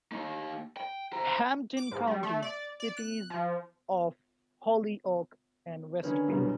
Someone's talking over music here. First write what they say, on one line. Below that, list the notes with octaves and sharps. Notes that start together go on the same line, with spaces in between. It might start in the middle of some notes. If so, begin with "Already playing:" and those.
Hampden County: Cities of Holyoke and Westfield.
A#3 D#4
G5
C5 A#5
D6
G#2
G3
A3
D5
D5
F#6
F3
D3 D#3 C#4 D4 B4 C#5
C2 F#2 B2